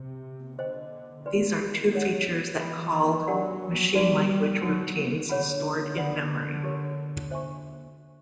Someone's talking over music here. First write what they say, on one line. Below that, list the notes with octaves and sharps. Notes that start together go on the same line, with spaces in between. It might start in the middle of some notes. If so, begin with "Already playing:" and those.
These are two features that called machine-language routines stored in memory.
Already playing: C3
D3 C5 D#5 G5
D#3 B4 D5 G5 C6
A4 C#5 F#5
E3 B4 E5 G5 B5
F#3 D4 G4 A#4 D5 F#5
G3 D#4 F#4 B4 D5
F#3 D#4 F#4 B4
D3 G#4 C#5 F#5 B5
B4 D5 F#5 B5
G4 A#4 C#5
C5 E5 G#5 C#6